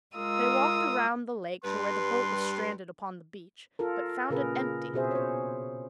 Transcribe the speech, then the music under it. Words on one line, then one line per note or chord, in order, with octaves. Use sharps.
They walked around the lake to where the boat was stranded upon the beach, but found it empty.
G#3 F4 A#4 D#6 E6
G2 G3 B4 C6
F4 A4 A#4
A#2 C#3 G#4 A#4 B4
B2 C4 G#4 C5 E5
C5 C#5